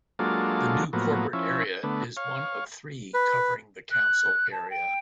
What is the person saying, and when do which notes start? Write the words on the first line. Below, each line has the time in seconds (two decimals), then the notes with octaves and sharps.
The new corporate area is one of three covering the council area.
0.19 F#3 G#3 A#3 D4 F4 A4
0.93 A2 F3 F#3 A#3 B3
1.33 F3 C#4 E4
1.83 D3 A3 B3
2.17 C#5 F5
3.14 B4
3.91 F#6
4.52 A5
4.70 G5